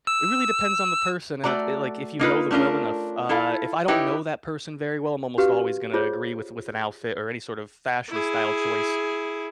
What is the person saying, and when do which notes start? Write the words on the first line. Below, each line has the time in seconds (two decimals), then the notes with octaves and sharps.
it really depends on the person, and it it it like if you know them well enough uh, if I don't know that person very well, I'm almost always gonna agree with with an outfit or any sort of fashion style choice,
0.07 E6
1.44 A3 F#4 D5 A#5
2.19 A#3 D#4 F4 B4
2.51 A3 C#4 D4 F4 A#4
3.29 E4 F4 A4 F5
3.88 D#4 E4 G4 B4 C#5
5.38 C#4 F#4 G4 B4 F5
5.94 F4 G#4 C5 C#5
8.09 E4 G#4